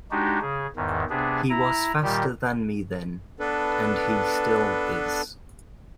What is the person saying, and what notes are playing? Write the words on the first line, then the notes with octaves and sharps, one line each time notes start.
He was faster than me then, and he still is.
G#3 D4 D#4 F#4 G4
C#3 G#4
E2 G#2 D#3
C3 B3 D4 G#4
E4 A#5
A#2 D#3 G3 G4
B3 D4 A4 B4